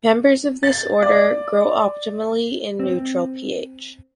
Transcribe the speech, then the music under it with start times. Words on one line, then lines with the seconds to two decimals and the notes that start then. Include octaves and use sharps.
Members of this order grow optimally in neutral pH.
0.63 A6
1.02 D5
2.79 C4